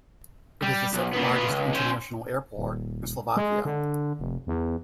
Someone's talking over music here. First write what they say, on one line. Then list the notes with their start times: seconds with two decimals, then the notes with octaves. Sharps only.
It is the second largest international airport in Slovakia.
0.62 G3
0.93 B1
1.13 A#2 B3
1.34 B3 F4
1.49 C#2
1.73 C#4 C5
2.57 D#1
3.37 G#3
3.65 D3
4.19 F1
4.47 E2